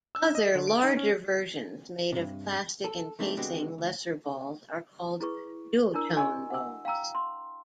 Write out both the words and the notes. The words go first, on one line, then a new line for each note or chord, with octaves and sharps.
Other, larger versions made of plastic encasing lesser balls are called Duotone balls.
E6
D#5
D3
D7
D#4
C#4
G2 C3
A4
D#3 E3 G#3 A3 C4 D4
D3 G#3 B3 C4 F#4 G4
D2
E4 G#4 B4 C#6
D4 E4 A#4 D5 A#5 E6
F#4 D#5 G#5 C#6 E6
F#5 E6
F5 G5 A#5 E6
C6